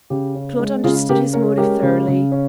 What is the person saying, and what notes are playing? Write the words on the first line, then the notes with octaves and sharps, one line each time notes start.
Claude understood his motive thoroughly.
C#3 G4
C#4
G#3
C#3 F4 G#4
C#3 G4 A#4
C#4 A#4 C#5
G#3 G4 A#4
C#3
C#3
C#4